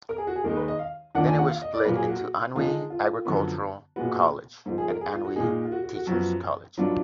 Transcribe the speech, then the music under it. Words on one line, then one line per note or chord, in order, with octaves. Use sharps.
Then it was split into Anhui Agricultural College and Anhui Teacher's college.
A#4
G#4
F#4
G#4
D#2 D#3 G#3 D#4 A#4
B4
D#5
F5
D#2 D#3 A#3 D4 F4 F#5
G#5
F#5
F5
D#5
D5
A#2 F#3 A#3 B4
G#4
F#4
D3 G#3 D#4 F4
F4
F#2 D3 F3 B3
A#2 G#3 B3 F#4
G#2 F3 B3
G#4
A#4
G#4
F4
F#4
A#2 G#3 D#4 G#4
F4
F#4
F#4
F#4
F#2 F3 B3
G#2 F#3 B3 D4 F4